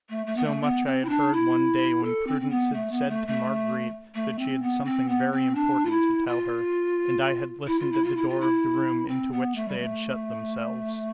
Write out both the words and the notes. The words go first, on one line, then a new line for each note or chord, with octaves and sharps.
So much I had heard one day when Prudence had said to Marguerite that she had something very important to tell her, and I had listened at the door of the room into which they had shut themselves.
A3
A3
B3
A3
B3
C4
E4
D4
E4
A4
C4
C4
B3
A3
B3
A3
A3
A3
C4
B3
C4
B3
C4
D4
F4
E4
F4
E4
F4
E4
F4
E4
F4
E4
C4
B3
A3
G3
A3